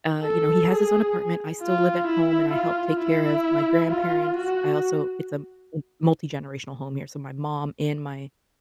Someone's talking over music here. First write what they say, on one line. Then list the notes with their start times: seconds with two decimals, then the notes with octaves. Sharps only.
uh, you know, he has his own apartment. I still live at home, and I help take care of my grandparents. I also it's a m multigenerational home here, so my mom and my
0.23 A4
0.70 G#4
1.62 F4
2.07 E4
2.54 F4
3.00 E4
3.90 F4
4.36 F#4